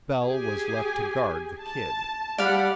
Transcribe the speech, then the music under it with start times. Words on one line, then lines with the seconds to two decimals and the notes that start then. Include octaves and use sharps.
Bell was left to guard the "Kid."
0.23 G4 G#4 G#5
1.61 A5
2.38 G3 D5 F5 F#5 B5